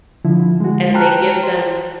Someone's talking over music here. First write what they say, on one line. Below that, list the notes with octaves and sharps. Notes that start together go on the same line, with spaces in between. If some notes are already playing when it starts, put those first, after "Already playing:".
and then they give them
D3 F3 E4
G#3 F#4
C5 G5 A5 A#5 F6 F#6
C5